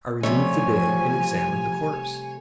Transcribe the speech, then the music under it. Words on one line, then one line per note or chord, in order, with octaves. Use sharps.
I removed the bed and examined the corpse.
C3 F3 G3 A3 C#5 G#5